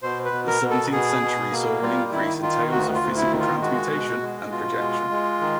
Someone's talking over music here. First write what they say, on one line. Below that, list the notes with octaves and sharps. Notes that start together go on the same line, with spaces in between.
The seventeenth century saw an increase in tales of physical transmutation and projection.
B2 C5
B4
B2
A#4
B2
A4
B2 G#4
B2
A#3
G3 F4
D#3 E4
D#3 F4
D2 F#4
F4
D2
E4
D#3
F4
G#3 F#4
B2
G#3
B2 F4
G#3
G#3
D#3